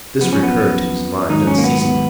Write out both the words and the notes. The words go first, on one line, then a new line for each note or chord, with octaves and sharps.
This recurred to his mind unceasingly.
F#2 F3 B3
C#4
B3
G#2 D#3 F#3 D#4
C#4
A#3
B3
B3